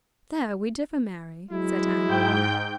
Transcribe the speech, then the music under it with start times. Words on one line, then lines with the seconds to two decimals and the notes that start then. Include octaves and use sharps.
"There we differ, Mary," said Anne.
1.51 F#3 G#3 E4
2.08 G#2 G5 G6